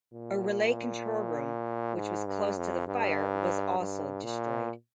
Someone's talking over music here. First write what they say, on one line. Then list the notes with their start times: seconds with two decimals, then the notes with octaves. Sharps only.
A relay control room which was close to the fire was also destroyed.
0.13 A#2
1.96 G#2
2.26 G2
2.57 F2
2.87 G2
3.79 G2
4.24 A#2